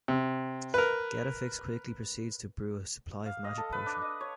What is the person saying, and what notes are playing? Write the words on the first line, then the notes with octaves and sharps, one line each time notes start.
Getafix quickly proceeds to brew a supply of magic potion.
C3
A#4 B4
F5
D#5
A4
B4
D4
D#5
C#5